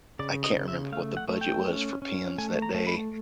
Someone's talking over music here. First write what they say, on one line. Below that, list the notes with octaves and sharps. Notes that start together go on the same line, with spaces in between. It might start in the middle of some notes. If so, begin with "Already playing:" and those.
I can't remember what the budget was for pins that day
C#3 D5
D#5
C#3
E5
A3 F5
F#5
A3
G5
C#4
C#4
A3 G#5
A#5
A3
B5